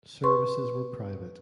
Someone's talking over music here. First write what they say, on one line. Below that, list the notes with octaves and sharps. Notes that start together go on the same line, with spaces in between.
Services were private.
B4 C6 C#6